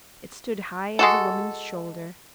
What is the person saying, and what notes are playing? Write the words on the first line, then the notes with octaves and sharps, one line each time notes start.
It stood high as a woman's shoulder.
G#3 F#4 A4